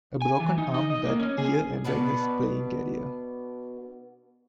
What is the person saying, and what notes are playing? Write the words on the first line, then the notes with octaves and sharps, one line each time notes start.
A broken arm that year ended his playing career.
G#5
E3
D#4
D#5
D#5
A#3
C#4
G#4
B2 B3 D4 B4